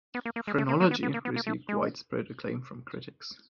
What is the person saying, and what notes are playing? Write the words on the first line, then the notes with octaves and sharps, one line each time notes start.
"Phrenology" received widespread acclaim from critics.
B3
A#3
A#3
G#3
A3
A#3
A#3
B3
B3
A#3
B3
A#3
A3
G#3